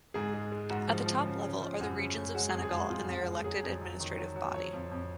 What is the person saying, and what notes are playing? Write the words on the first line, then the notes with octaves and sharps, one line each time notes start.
At the top level are the Regions of Senegal and their elected administrative body.
G#2 G#4
G#3
G#3
G#2 F#4
F3
F3
C#3
C#3
F3
F#2 F#4
C#3
F#2
G#3 F#4
G#4
F2
G#4
G#3 F#4
F2 F4
F#4
F2
F#4
G#3
F#4
F#3 G#4
F2
F#3
D#3
F#3
F#3
F3 C#5
F2
F2